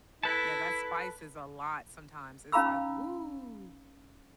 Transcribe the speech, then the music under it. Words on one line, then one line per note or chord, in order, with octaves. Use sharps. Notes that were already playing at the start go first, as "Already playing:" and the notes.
Yeah, that spice is a lot sometimes. It's like, "Whoo."
E4 A4 B4 A5
C#4 D#4 F5 A#5 B5 E6